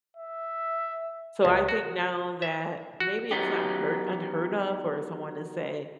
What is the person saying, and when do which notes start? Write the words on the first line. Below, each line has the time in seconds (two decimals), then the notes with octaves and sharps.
So I think now that maybe it's not hur unheard of for someone to say,
0.17 E5
1.45 C#2
1.69 F#4
2.42 E5
3.00 F#4
3.31 D#3 F#3 B3 D#4 G4